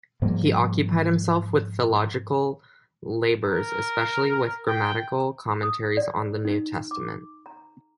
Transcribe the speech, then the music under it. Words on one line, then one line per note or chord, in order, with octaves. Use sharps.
He occupied himself with philological labors, especially with grammatical commentaries on the New Testament.
G#2 F3 G3 A#3
A#4
G5
D#6
D5
D#4
D6
A#5